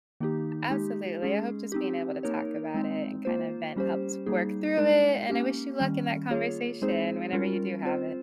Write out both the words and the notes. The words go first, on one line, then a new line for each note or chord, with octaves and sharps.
Absolutely, I hope just being able to talk about it and kinda vent helps work through it, and I wish you luck in that conversation whenever you do have it.
D#3 A#3 D#4 G4
G#3 D#4 G4
G#3 C#4 G#4
C4 D#4 G4
A#3 D#4 A#4 C#5
G#3 C4 D#4
A#3 F4 C5
G3 C#4 G4 C5
G3 A#3 D#4 G#4
G#3 D#4 A#4
A#3 C#4 G4
D#3 G3 C#4
A#3 F4 G#4 C#5
G#3 C4 D#4 G#4 C5
G3 C#4 F4 A#4
C4 F4 C5